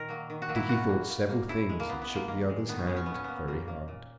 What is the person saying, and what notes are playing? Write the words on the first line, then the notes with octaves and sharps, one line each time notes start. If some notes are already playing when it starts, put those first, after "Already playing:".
Dickie thought several things and shook the other's hand very hard.
Already playing: A#2 D#3 A#4
F#3 A#3
D#3
F#4
F#3 A#3
E4
A#2 F#4
A#3
A#2
A#3
C#3 E4
G#3
A#3
C#3 B3
B3
G#3
A#3
D#3 A#3
G#3
D#3 B3
C#4
G#3 B3
C#4
A#2 B3
C#4
A#3 B3
A#2 A#3
A#3
A#2